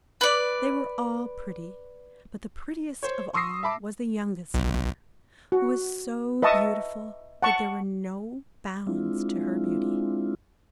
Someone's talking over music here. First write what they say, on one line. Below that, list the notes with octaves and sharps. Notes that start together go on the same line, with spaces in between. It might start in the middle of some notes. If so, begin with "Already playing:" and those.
They were all pretty, but the prettiest of all was the youngest daughter, who was so beautiful that there were no bounds to her beauty.
B4 D5
C5 C#5
C6 C#6 D#6 E6 A#6 C7
E5 A5 B5 D6
B1
F#4
B4 D#5 E5 A5 C#6 D#6
F#5 A5 C#6
G#3 C4 D4 E4 F4